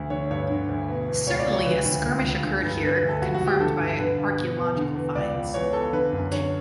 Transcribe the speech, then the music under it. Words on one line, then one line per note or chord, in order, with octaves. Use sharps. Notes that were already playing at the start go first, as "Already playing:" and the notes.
Certainly a skirmish occurred here, confirmed by archaeological finds.
Already playing: D2
D3 C#5
G2 C#5
D3
D2
B2
E2
C#2 C#5
D5
C#2
C#5
D2 B4
D2
C#2
C#2
D3
G2
D3 B4
B4
D2
A4
C#2 F#4
F#4
C#2
G4
D3 A4
G2
D3 B4
G2
B2
E2
D3
E2
C#2 D5
C#2
E2 C#5
E2 A4
D3 B4
F#2
D3 C#5